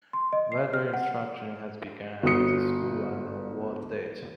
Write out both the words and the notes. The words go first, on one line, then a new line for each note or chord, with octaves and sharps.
Whether instruction has begun at the school, and on what date.
C6
D#5
C7
F6
F#5
G1 F#4 D#6 C#7